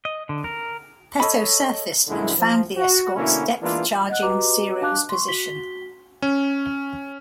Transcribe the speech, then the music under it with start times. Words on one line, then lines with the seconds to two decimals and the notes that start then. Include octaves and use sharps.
"Peto" surfaced and found the escorts depth charging "Cero"s position.
0.05 D#5
0.29 D3
0.44 A#4
1.20 A4 C#5 D#5 B5
2.08 A#1 F#2 D3 G#3 E4
2.37 F3
2.77 F#4
3.15 B2 D3 A#3 C#4 E4
3.61 E3 G#3 A#3 B3 D4 F4
4.09 D#5 F#5 F#6
4.22 F#4 G4 B4 D#5 A#5 D6
4.81 D4 F5 A5 D6 F#6
5.09 C6 C#6
5.28 F#4 B6 G7
6.22 C#4